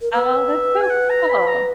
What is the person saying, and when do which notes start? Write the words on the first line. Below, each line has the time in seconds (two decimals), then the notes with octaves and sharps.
Oh, that's so cool.
0.02 A#4
0.12 B4 E5
0.81 G#5
0.90 F#5
1.09 A#5
1.29 B5
1.48 A#5